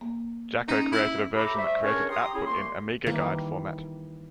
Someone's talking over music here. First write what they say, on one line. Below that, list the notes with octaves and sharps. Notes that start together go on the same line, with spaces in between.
Jacco created a version that created output in Amigaguide format.
A#3
C#4 D#4
E4
A2 G4 E5 A#5 B5 D6
G3 A3 C5 E5
C#2 C#4 D4 A#4 C#5 C#6
G4 G5 A#5 C6 D#6
C#4 E4 G#4
C2 A3 A#3 C6
D#3 E3 G3 A#3